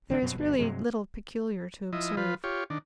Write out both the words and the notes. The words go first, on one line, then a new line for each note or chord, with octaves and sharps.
There is really little peculiar to observe.
A1 D3 D4
F#2 B2 F#3 C4
G1 B2
G2 C3 F#3 G#3
F3 E4 D#5
F3 F4 B4
F4 G4 C#5
D#3 D4